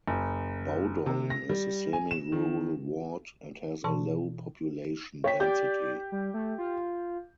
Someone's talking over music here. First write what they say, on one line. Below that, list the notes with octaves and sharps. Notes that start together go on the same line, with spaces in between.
Bowdon is a semi-rural ward and has a low population density.
F#1
C3
A#6
G3
G#5
E7
D#3
B2 E3 A5 C#6
C#5 G5 B6
G4 D5 G6
G3
A3
F4